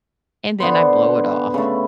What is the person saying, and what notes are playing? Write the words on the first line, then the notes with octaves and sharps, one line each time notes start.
and then I blow it off.
D3 B3 C5
C#3 A3